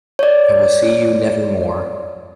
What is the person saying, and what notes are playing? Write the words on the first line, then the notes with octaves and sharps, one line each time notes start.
I will see you never more.
C#5 D5